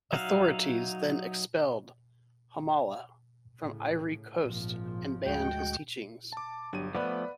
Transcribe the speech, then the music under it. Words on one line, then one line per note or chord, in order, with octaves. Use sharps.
Authorities then expelled Hamallah from Ivory Coast and banned his teachings.
F#3 D#4 F#4 E5 F5
A2 C#3
G#1 A#2 F3
D2 G#3 F#4 G5
A5 D6
G1 F#3 D4 G4 D#7
F3 A3 B3 B4 D5 F#5 B5